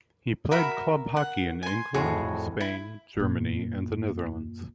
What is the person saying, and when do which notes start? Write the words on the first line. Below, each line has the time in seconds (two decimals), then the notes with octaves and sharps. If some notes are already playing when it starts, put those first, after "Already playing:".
He played club hockey in England, Spain, Germany and the Netherlands.
0.51 F#4 A#4 E5 B5
1.17 F#5
1.63 G#5 C6
1.94 F2 A2 F#4 G#4
2.61 E4
3.17 F#2 A#2